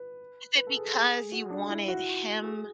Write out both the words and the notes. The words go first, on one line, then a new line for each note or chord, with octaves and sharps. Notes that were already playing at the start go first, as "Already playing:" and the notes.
Is it because you wanted him
Already playing: B4
B4
A4
G#4
A4
G#4
F#4
D4
E4
F#4
G#4